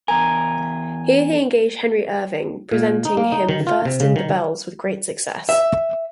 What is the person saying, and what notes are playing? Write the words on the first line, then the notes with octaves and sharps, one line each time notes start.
Here he engaged Henry Irving, presenting him first in "The Bells", with great success.
E2 A#4 G#5
A#2
D#4
A#3
D#4
D#3
F4
C3
C#3
D#3
E5